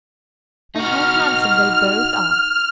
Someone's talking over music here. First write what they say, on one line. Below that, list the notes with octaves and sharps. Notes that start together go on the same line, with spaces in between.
"And how handsome they both are!"
D#4 F#4 F6